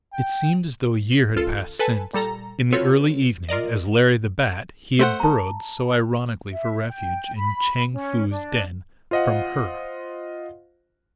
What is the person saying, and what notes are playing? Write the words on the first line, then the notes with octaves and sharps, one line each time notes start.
It seemed as though a year had passed since, in the early evening, as Larry the Bat, he had burrowed so ironically for refuge in Chang Foo's den--from her!
G5
C#2 F4 A4
A4 B4 G#5 A5
A#2 G3 A4 A#5
C4 F4 F#4 A4 B4 C#5
F4 A#4 D5 D#5
A3 C5 F#5
A5 A#5
E5
G5
B5
C#4
D4
F4 C5 D#5 F5 F#5